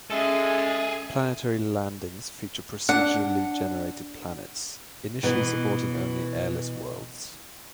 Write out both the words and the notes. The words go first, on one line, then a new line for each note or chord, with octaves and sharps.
Planetary landings feature procedurally generated planets, initially supporting only airless worlds.
G#3 C#4 G#4 A4 E5
D4 F#5
B2 E3